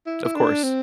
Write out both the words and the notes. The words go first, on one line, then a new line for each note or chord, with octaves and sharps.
Of course.
E4
E4
D4
C4